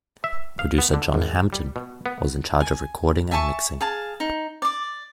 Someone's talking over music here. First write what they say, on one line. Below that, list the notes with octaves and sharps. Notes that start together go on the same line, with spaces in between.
Producer, John Hampton, was in charge of the recording and mixing.
E5
F5
B3
D3
G#1
G3
B2
B3
G#5
E5 G#5 A5 C#6
G#4 F5 A5
D#4
D5 D6